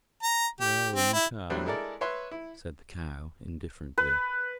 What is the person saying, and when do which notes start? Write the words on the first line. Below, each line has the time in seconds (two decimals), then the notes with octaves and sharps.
"Well, you can," said the Cow, indifferently.
0.23 A#5
0.61 G4
0.95 C4
1.13 E4
1.50 A2 F#3 G3 C4 D4
1.66 G#3 E4 A4 A#4 D5
2.01 B4 C#5 E5 C6
2.32 E4
3.98 B4